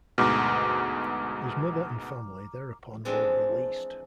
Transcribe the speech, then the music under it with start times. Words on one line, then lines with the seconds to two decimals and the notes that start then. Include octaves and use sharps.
His mother and family thereupon were released.
0.18 D2 G#2 B2 A#5 D6 F6
3.05 E3 F3 G#3 C4 D4